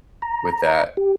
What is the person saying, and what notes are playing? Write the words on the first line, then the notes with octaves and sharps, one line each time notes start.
with that.
A#5
G4